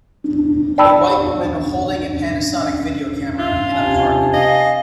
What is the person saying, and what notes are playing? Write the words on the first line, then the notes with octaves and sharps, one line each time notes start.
A white woman holding a Panasonic video camera in a park.
D5 G5 A5 B5 E6
F4
C3 G#5 A5
D#5 F5